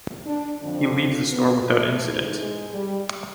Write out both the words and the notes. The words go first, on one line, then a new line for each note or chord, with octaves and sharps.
He leaves the store without incident.
D4
F2 D3 F3 D4
C4
B3
A3
G#2 E3
G#3
G3